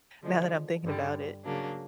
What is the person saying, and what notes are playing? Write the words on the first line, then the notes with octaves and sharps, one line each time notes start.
Now that I'm thinking about it.
D3 F3 G#3
G2 D3 G3
C#3 F#3 A#3 D4